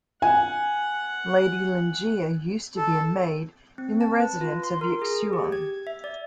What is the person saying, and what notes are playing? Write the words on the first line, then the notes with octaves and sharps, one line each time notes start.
Lady Lingiya used to be a maid in the residence of Yixuan.
F#5 G#5
A4
C4
A5
B4
F4
C6
A#4
G#4
G4
G#6
E5
D5